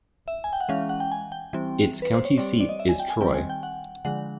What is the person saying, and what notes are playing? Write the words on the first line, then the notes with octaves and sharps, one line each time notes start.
Its county seat is Troy.
E5
G#5
G5
F#5
E3 G#3 C#4 F5
F#5
G5
G#5
G5
E3 G3 C4
B4
C5
C#5
G3 C4 D5
D5
D#5
E5
G#5
G5
G#5
D#3 G3 C4 G5
G#5
G5
F#5
D3 F3 G#3 F#5